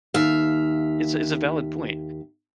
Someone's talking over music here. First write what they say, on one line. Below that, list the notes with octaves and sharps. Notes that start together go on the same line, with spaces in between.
It's a it's a valid point.
D#2 E5 F5